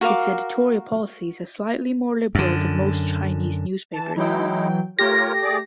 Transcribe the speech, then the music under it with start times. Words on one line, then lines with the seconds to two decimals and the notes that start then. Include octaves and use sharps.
Its editorial policies are slightly more liberal than most Chinese newspapers.
0.01 F#4 A#4 F5 D6
2.35 F#2 D3
3.94 E3 A5
4.16 E3 F#3 G#3 D#4 E4 G5
4.99 A3 F4 G4 A#4 C#5 A#6
5.43 G#4 D5 D6